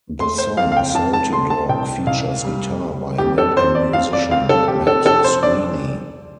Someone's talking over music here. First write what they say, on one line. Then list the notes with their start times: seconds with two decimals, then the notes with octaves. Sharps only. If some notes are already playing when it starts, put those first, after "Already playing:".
The song "Salty Dog" features guitar by American musician Matt Sweeney.
0.19 A3 C6
0.38 C5
0.57 F2 F5
0.72 F5
0.77 G5
0.95 F2 A5
1.13 A5
1.32 A3 C6
1.50 A5
1.69 C2 G5
2.07 C2 F5
2.45 G3
2.82 G3
3.18 F2 G4
3.38 A4
3.57 F2 C5
3.75 D5
3.93 F2 F5
4.13 D5
4.31 C4 F5
4.49 A4
4.68 F1 G4
4.87 A4
5.05 F1 A4
5.24 C5
5.43 D4 D5